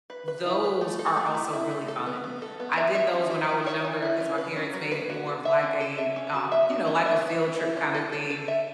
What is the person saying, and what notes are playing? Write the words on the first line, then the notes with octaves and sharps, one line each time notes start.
Those are also really fun. I did those when I was younger, 'cause my parents made it more of like a, um, you know, like a field trip kinda thing,
B4
B4
E4
B4
A3
A4
A3
E4
E4
A3
A4
B3
B3
A4
B3
E5
E5
C#4
E4
E4
C#5
E3
E4
C#4
B4
C#4
F#3
B4
F#4
A4
E5
C#4
A4
E5
C#4
F#4
E5
F#4
C#4
E5
B4
E3
E4
C#4
A4
A4
A4
E5